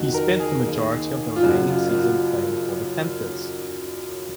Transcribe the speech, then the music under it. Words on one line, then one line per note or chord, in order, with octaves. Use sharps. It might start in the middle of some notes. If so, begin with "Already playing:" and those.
He spent the majority of the remaining season playing for the Panthers.
Already playing: F#1 F2 D#3 F#4
A#4
G#4
D#2 D#3
F4
F#1 F#2 C#3 F#4
F4
F4
F#4